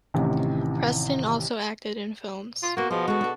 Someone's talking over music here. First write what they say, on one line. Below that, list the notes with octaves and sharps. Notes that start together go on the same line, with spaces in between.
Preston also acted in films.
A1 C3 D#3 E3
F4
A#3 B3 F#4 C5
B2 F3 G#4 D#5 F#5
G#3 F#4 A4
D4 A4